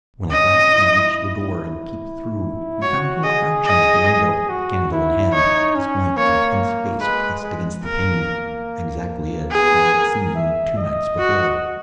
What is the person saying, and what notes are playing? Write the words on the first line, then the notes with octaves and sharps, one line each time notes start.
When at last we reached the door and peeped through we found him crouching at the window, candle in hand, his white, intent face pressed against the pane, exactly as I had seen him two nights before.
C#4 D#5
E4
F#4 C#5
G#4 D#5
D#5
F#4
E4
D#4 C#5
C#4
A#3 C#5
G#3 B4
G#3
A#3 A#4
B3 G#4
A#4
E5
D#5
F#4